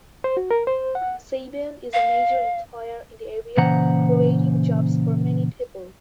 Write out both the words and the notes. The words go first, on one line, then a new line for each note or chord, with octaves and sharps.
Sabian is a major employer in the area, creating jobs for many people.
C5
F#4
A#4
C5
F#5
F5
A#2 C#3 E3 C5 F#5 A#5